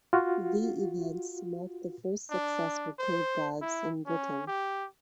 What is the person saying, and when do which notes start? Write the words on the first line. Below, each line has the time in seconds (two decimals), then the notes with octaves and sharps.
The events marked the first successful cave dives in Britain.
0.13 F4 F#4
2.31 D4
2.99 C5
3.61 E4
4.06 C#4
4.47 G4